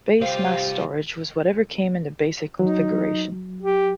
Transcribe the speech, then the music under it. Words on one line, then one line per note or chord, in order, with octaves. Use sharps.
Base mass storage was whatever came in the basic configuration.
C2 F4 G4 C5 F5
F#3 D#4
G4